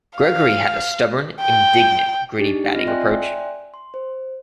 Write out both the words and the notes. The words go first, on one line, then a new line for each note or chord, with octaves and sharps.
Gregory had a stubborn, "indignant", gritty batting approach.
F5
G5
D4 D#4 G4 G#4
C4 F4 D#5 F6 A#6
D5 E5 G5 G#5 C6 F#6
C6
C5